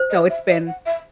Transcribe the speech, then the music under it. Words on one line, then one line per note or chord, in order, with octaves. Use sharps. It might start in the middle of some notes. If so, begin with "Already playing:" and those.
So, it's been
Already playing: C5
D#5
E5
D#5
F#5
E5